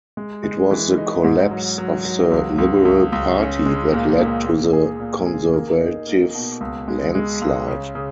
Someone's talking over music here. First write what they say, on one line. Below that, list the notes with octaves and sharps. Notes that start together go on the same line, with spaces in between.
It was the collapse of the Liberal Party that led to the Conservative landslide.
G#3
G#3
E3
D#4
G#2
F#3
F#3
F#3
C#2
C#2
C#2
C#2
C#4
G#3
A#2
A#2
A#2
G#4
A#2
G#4
A#3
D#4
A#3
B2
C#2
G#3
G#3
C#2
C#3
C#3